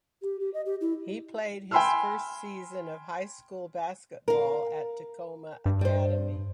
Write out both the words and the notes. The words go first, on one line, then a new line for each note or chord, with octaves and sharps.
He played his first season of high school basketball at Takoma Academy.
G4
G4
D#5
G4
E4
G5 G#5 B5 C6 E6 F6
A#4 F5
G2
G3 C5